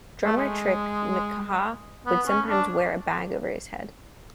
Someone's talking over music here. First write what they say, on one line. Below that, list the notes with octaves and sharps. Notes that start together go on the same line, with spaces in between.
Drummer Trick McKaha would sometimes wear a bag over his head.
A3
G#3
B3
C#4
D4